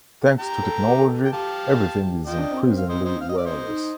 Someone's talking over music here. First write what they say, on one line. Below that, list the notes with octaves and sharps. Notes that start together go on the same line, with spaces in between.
Thanks to technology, everything’s increasingly wireless.
G4 G5 A#5
A4
G4
A4
G4
G5
G4 F5 A5
F4 D#5 G5
D4
C4
C4
F5
C5 D#5
C5 D#5
F5
D#5
D5
C5 D#5
D#4